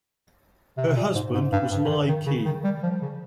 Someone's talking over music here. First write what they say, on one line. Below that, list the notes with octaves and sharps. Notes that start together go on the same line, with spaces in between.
Her husband was Li Qi.
C3
C3
A#2
G#2
G#2
G2
G2
C#3
D#3
D#3
C#3
D#3
G3
F3
C#3